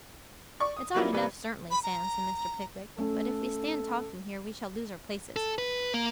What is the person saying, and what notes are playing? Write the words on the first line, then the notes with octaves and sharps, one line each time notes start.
'It's odd enough, certainly, Sam,' said Mr. Pickwick; 'but if we stand talking here, we shall lose our places.'
D5 C#6
D#6
F#3 G3 A#3 B3 E4 F4
A1 C3 G3 B4 D5
B5
A#5
A3 C#4 A4
A4
B4
A#3